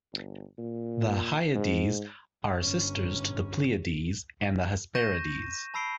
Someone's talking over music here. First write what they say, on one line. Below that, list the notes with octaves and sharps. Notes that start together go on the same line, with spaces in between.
The Hyades are sisters to the Pleiades and the Hesperides.
G1
A#2
G#2
G1 C#4
C#6 G6 A#6 D#7 E7
A5 B5 E6 C7 D7 G7